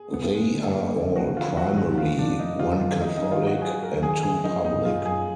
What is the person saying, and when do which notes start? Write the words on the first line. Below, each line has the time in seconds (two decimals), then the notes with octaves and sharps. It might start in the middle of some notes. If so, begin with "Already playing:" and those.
They are all primary, one Catholic and two public.
Already playing: G#4
0.14 B3
0.35 G#3
0.54 D3
0.76 A#3
0.96 D3
1.16 F3 F#4
1.37 D3 F4
1.57 F3 F#4
1.77 D#3 F#4
1.98 D#3 F4
2.18 F2 D4
2.39 F2 D#4
2.59 F2 F4
2.80 D#3 F4
3.01 F#3 D#4
3.17 D#4
3.22 D#3
3.32 F4
3.42 F#3
3.47 F#4
3.62 F#3 G#4
3.82 F#3 A#4
4.03 D#3 G#4
4.23 F#2 G#4
4.44 F3 D#4
4.65 F#2 D#4
4.85 F#2 F4
5.06 F#2 G#4